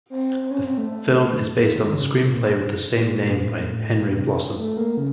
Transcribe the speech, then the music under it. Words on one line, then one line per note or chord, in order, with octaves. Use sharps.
The film is based on the screenplay with the same name by Henry Blossom.
C4
C4
C#4
C4
A3
A3
D#3
C#3
C3
A#2
A#2
A#2
A2
A#2
A#2
A2
A#2
C3
A3
A#3
C#3